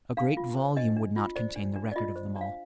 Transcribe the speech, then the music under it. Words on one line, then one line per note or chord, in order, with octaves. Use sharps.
A great volume would not contain the record of them all.
D4 F5
F4
C5
D4 D#5
D4
F4
C5 D5
D4
D4
D5
F4 D#5
C5
D4
F5